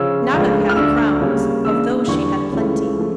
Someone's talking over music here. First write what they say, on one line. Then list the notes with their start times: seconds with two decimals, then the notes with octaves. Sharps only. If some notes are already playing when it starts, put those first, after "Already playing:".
Not of half-crowns; of those she had plenty.
Already playing: C#3 F3 C#4 E6
0.32 C#2 C#3 F3 A3 D4
0.69 F6
0.76 D2 D3 A3 D4 E6
1.20 C#3 G3 A#3 C#4
1.64 C#3 E3 A#3 D4 E6
2.07 E2 D3 G3 D4 C#6
2.53 C#2 C#3 E3 A3 C#4
2.96 C#3 F3 A3